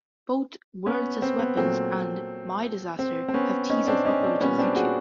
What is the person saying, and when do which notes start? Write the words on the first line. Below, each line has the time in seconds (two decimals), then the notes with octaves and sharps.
Both "Words As Weapons" and "My Disaster" have teasers uploaded to YouTube.
0.86 B3 C#4
1.22 C4
1.39 B3
1.57 A#2 F#3 A3 C4
2.99 C4
3.28 C4
3.34 B3 C#4
3.70 C#4 D#4
3.87 C4 D4
4.05 C#4 D#4
4.23 C4 D4
4.40 A#2 G3 B3 C#4
4.59 C4 D4
4.76 F#4 G#4